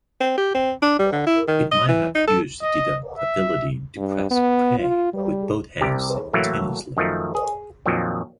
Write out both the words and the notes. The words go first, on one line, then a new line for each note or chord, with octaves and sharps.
It may have used that ability to grasp prey with both hands simultaneously.
C4
G4
C4
D4
G3
D3
E4
D#3
D#5
E3
D#4
A4
D#5
E5
G2
B3
F4
G3
C2 C3 G4
A2 E3 F#3 A3 A#3
F#2 D#3 F3 A3
G#4
F2 A#2 D#3 F3 F#3